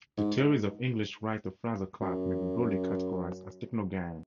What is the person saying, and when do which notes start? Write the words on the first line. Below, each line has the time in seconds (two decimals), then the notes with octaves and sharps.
The theories of English writer Fraser Clark may be broadly categorised as technogaian.
0.17 G#2
2.01 F#2